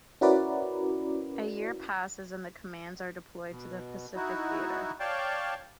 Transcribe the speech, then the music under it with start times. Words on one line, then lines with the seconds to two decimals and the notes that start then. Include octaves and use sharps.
A year passes and the commandos are deployed to the Pacific Theatre.
0.21 C#4 E4 F#4 A#4 B4 D5
3.51 B2
4.15 D#4 E4 F#4
5.00 C#5 D5 F5 G5 A5